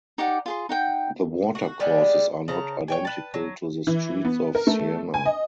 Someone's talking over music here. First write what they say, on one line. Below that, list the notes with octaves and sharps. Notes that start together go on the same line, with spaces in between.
The watercourses are not identical to the streets of Siena.
D#4 G4 D5 F#5
F4 G#4 C6
D#4 F#5 G5
F#4
G3 G#3 B3 D4
C#3 A5 A#5
C#5 G5 G#5
B4 A5
F#3
E3
B3
A#4
A3
G#5
D#5